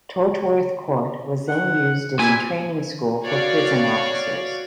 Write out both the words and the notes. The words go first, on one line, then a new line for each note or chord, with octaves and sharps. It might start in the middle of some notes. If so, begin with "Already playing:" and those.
Tortworth Court was then used as a training school for prison officers.
F#5
A#2 E4 G#5
F#4 C#5 D5 F5